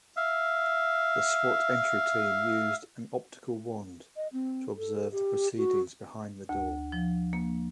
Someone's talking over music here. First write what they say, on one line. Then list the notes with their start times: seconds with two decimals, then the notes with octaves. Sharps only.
The S.W.A.T. entry team used an optical wand to observe the proceedings behind the door.
0.17 E5 F5
4.16 D#5
4.33 C4
4.78 A4
5.12 G4
5.57 F#4
6.49 D2
6.92 F3
7.33 A#3